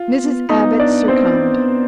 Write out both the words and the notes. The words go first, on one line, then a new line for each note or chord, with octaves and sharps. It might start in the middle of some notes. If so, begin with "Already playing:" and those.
Mrs. Abbott succumbed.
Already playing: F4
B3
B3 D#4 D#5
D4 D5
C4 C5
B3